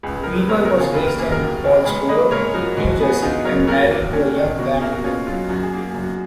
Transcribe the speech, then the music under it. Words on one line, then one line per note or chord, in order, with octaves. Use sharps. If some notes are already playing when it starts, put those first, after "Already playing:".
Weber was raised in Paulsboro, New Jersey and married to a young bandleader.
C#2 G#4 B4
F3 A#4
B4
B3 A#4 C#5
F#4 A#4
C#3
F4 G#4
D#2 B4
A#4
A#3 G#4
F#4 A#4
D#2
D#3
G#2 G#4 B4
A#3 B4 D#5
G#2 A#4 C#5
F3 F#4 A#4
G#2 F#4
F#4
B3 G#4
F#4
D#4 F4 G#4
F#3 A#4 C#5
D#2 F#4 A#4
A#3
C#4
D#3
B2 F#4
G#4
A#3 F#4 A#4
F#4
C#4 F4
F#3 F4
F#2 F#4
G#4
A#3 F#4
F#2 G#4
F#4